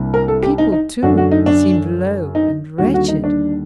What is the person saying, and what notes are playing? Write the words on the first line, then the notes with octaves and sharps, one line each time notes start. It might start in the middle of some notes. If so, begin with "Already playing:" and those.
The people, too, seemed low and wretched.
Already playing: C2 C3 G3 A#3 D4
A#4
A4
G4
D#4
D#4
F#2 D3 A3 D4 F#4
F#4
D#4
D4
D#4
D#2 D3 G3 F#4
F#4
D#4
D4